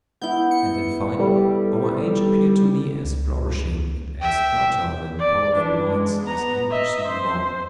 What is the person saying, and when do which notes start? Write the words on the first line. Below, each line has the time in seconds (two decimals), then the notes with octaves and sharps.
And, in fine, our age appeared to me as flourishing, and as fertile in powerful minds as any preceding one.
0.21 B3 E4 G6
0.51 C#7
1.19 G3 A4
3.04 C#2
4.22 E5 G5
5.19 D5
5.53 E3 D4
5.89 G#3
6.22 B3 A#5
6.70 D#5 E5
7.08 C5